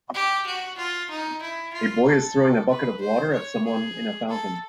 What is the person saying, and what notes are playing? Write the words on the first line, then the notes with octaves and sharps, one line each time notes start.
A boy is throwing a bucket of water at someone in a fountain.
G4
F#4
F4
D#4
E4
F4
A4
B4
C5
C#5
G#4
A4